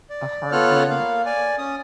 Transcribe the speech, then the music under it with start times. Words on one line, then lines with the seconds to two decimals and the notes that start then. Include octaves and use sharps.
a hard one
0.10 D5
0.52 B3 F4 A4 C#5 F6 F#6
0.90 A#3 F5
1.26 D5 G#5
1.58 C#4 D#6